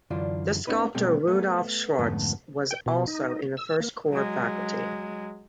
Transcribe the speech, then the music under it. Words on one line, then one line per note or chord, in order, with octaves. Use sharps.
The sculptor Rudolph Schwarz was also in the first core faculty.
F#2 D3 E3 D4 F4
B3 C#4 D#4 B4
B2 G3 A3 C4
A3 B3
F2 G#2 D3 A3 B3
G5
B2
D#4
E6
A#3
F#3 G#3